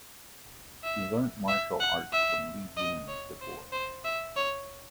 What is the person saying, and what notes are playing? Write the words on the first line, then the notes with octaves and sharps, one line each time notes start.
He learnt martial arts from Li Yun before.
E5
E5
F#5
E5
D#5
C#5
C5
C5
E5
C#5